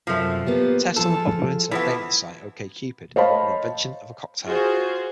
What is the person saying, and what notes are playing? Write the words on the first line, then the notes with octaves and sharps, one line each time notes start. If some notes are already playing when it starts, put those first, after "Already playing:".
Test on the popular Internet dating site OkCupid, and the invention of a cocktail.
F#2 C3 F3 A3
A#3 B3 G4
F3 F4 G#4 A4
E3 F3 B3
C5 C#5 D#5 F5 A5 B5
F4 F#4 G#4 C5